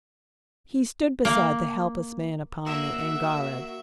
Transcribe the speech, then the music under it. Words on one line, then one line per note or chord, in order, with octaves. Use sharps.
He stood beside the helpless man upon the angareb.
A#3
A#3 F#4 E5 E6